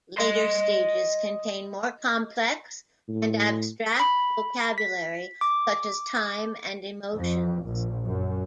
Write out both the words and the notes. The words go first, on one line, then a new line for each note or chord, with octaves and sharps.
Later stages contain more complex and abstract vocabulary such as time and emotions.
D#5 C6
A2
B5
B6
D6
F2
A#1
F#2